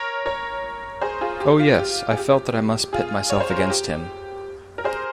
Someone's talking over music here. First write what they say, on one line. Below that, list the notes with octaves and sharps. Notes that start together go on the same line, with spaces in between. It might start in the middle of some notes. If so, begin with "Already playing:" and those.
Oh yes, I felt that I must pit myself against him.
Already playing: A#4 C#5
A#4 C#5
G#4 C5
F4 G#4
G4
F4
G4
G#4
G4
F4 G#4
C#5
C5
A#4
G#4
G4
A#4
G#4 C5